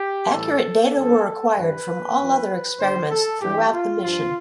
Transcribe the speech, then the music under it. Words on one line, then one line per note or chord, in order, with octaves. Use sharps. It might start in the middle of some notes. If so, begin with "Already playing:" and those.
Accurate data were acquired from all other experiments throughout the mission.
Already playing: G4
A2 E3 G3 A4
G2 F3
G2 E3 G3 B4
G2 F3
G2 D3 G3 C5
A4
G2 E3 G3 G4
F4
G2 F3 F4